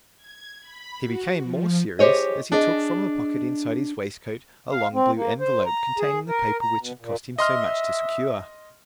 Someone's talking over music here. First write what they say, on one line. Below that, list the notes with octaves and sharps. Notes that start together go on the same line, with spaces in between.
He became more serious as he took from a pocket inside his waistcoat a long blue envelope containing the paper which had cost him so much to secure.
G#6
B5
F#4
F3
G4 G#4 C5 C#5 D#5
D4 G#4 D#5
F5
C4
A#3
C5
A#5
G#4
A#4
A#5
B2
A#2
D#5 E5 C6 F6